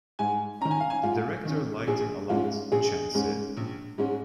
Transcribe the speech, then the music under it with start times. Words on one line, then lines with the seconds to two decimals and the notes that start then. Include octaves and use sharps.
"The director liked him a lot," Chan said.
0.19 G#2 G#5
0.61 D#3 C#4 A#5
0.71 G#5
0.80 F5
0.90 G#5
1.03 G#2 F4
1.45 D#3 C#4
1.87 A#1 G#4
2.30 G#2 G#3 C#4 F4
2.72 A#1 G#4
3.14 G#2 G#3 C#4
3.57 A#1
3.98 G#2 G#3 C#4